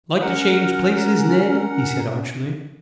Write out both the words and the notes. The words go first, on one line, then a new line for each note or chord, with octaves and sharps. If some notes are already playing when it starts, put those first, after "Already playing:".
"Like to change places, Ned?" he said archly.
C#4 A#4 F#5